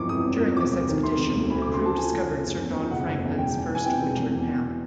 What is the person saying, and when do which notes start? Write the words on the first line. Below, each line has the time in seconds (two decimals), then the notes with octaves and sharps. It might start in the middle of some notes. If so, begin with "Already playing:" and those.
During this expedition, the crew discovered Sir John Franklin's first winter camp.
Already playing: G1 F2 E3 C#6 D6
0.09 C3 D#6
0.25 G1
0.40 F2
0.57 E1 D6
0.72 D2
0.88 D#3
1.03 C3 C6
1.19 E1
1.34 D2
1.50 D2 B5
1.62 C#3 D6
1.74 C6
1.81 D2 A5
1.97 F3 G#5
2.12 D2
2.29 C#3
2.44 F#1
2.60 E2
2.75 F3
2.91 C#3 F#5
3.07 F#1
3.23 E2
3.38 E1 G5
3.54 E2
3.69 E3
3.75 G#5
3.85 C3 G5
4.01 E1
4.16 E2
4.31 E2
4.48 B2